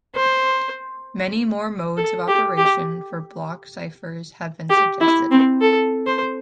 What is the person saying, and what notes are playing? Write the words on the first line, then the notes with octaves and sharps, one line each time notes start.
Many more modes of operation for block ciphers have been suggested.
C5
A4
G4
G4
G4
E4
C4
A4
C5